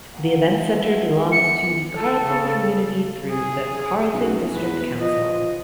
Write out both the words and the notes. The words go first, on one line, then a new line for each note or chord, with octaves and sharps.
The Events Centre belongs to the Carterton community, through the Carterton District Council.
A#2 F#3
B2 F3
B3 D4 E4
G4 C#7
A4
C#3
G#4
B1 C#4 F#4
E2 B4
F3 D#5